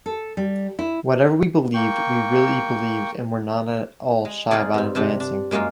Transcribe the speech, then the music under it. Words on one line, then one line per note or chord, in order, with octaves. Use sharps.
Whatever we believed, we really believed and were not at all shy about advancing.
A4
G3
E4
A#3 G5 C#6
G#3
D#4 F4 G#4 D5
G2 C4
C3 C4 D4 G4
D4
F#2 G#3 A#3 D#4 F4